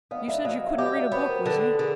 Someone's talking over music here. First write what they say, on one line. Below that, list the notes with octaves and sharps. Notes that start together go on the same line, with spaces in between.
'You said you couldn't read a book, Lizzie.
B3 D#5 F5
D5 E5
F#3 D#5 F5
E5
G4 D#5 F5
D5 E5
B3 B4 C#5
A#4 C5
A#4
D3 A4 B4
A4
D3 G#4 A#4